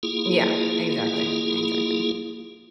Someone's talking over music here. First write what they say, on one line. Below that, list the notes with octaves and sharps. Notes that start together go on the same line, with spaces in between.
Yeah. Exactly, exactly.
A#3 E4 F4 G#4